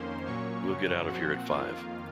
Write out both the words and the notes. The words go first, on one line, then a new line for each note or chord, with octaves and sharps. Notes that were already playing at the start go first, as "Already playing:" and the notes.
We'll get out of here at five.
Already playing: F2 D#3 A#3 C#4 C5 C6
A#2 F#3 A#3 C#4 C#5 C#6
F#2 C#3 F#3 C#4
A#2 F3 C4 F#4 F#5
F2 D#3 A#3 F4 F5